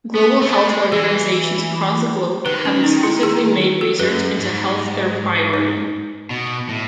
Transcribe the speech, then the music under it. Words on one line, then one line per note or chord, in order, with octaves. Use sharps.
Global health organisations across the globe have explicitly made research into health their priority.
B3
A3
B3
A3
G#3
E3 G#4
D#3 B4
C#4
D#4
E4
G#4
F#4
A4
F#2 B4
G#2
D#4
B2
A2